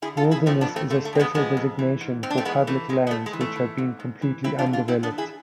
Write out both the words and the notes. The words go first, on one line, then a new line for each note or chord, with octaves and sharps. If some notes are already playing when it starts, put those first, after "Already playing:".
Wilderness is a special designation for public lands which have been completely undeveloped.
D3 E4 G#4
F4 A4
F2
E4 G#4
F3 A3 C4
B3 D4
F2
A3 C4
D3 A3
A3
F2 C4
G#3 B3
F3 G#3 B3
F2
E3
G#2
G#2 C4
D4
A3 C4
E3 G#3 B3
E3 A3
G#2 G#3
B3
G#2 A3
G#3
E3
A3
E3
G#2
G#2
E3
E3 C4 E4
D4 F4
G#2
D4 F4
G#2 C4 E4
B3 D4
E3
E4 G#4